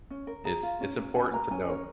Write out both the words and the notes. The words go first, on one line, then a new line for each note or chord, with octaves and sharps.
it's, it's important to know.
C#4
A#4
G#4 A#5
F4
C#4
C#4
C#4 G#5
A#4 A#5
C#4 G#5
A#4 C#5